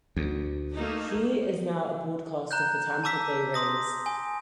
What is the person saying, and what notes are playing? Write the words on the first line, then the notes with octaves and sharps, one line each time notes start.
He is now a broadcaster for the Tampa Bay Rays.
D2
A3 A#3 D#4
A#5 F#6 G6
A5 A#5 D6 E6 B6
C6 D#6 A#6
G#5